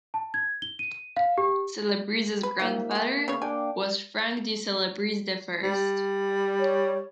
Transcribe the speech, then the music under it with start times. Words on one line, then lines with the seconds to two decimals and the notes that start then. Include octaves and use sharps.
Celebrezze's grandfather was Frank D. Celebrezze the First.
0.14 A5
0.34 G#6
0.62 G7
0.79 D#7
1.17 F5
1.38 G4
2.43 B4
2.60 D#3 F3 A#3 E5
2.91 F#4 G4
3.28 C#3 B3 C#5 F5
3.42 D4 G5 G#5 D6
5.63 G3
6.59 C#5